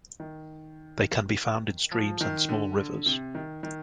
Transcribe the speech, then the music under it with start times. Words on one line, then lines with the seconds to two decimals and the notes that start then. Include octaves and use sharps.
They can be found in streams and small rivers.
0.20 D#3
1.91 F3
2.21 D#3
2.49 D3
2.78 D3
3.06 C3
3.35 D#3
3.63 D#3